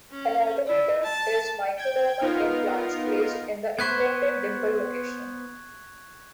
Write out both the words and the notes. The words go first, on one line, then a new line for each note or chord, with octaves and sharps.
An alternative is microdermal implants, placed in the intended dimple location.
C#4
E4
A5
G5 G#6
B3 D#4 F4 A#4
B3 B4 C5 C#6 F#6 G#6